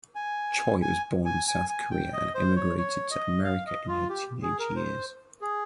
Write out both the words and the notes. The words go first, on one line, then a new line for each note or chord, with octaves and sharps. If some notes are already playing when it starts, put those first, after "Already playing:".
Choi was born in South Korea and immigrated to America in her teenage years.
G#5
G#5
G#5
G#5
G#5
G5
D#5
C5
C#5
C#5
D#5
F5
D#5
F4
G4
G#4
A#4
C5
G#4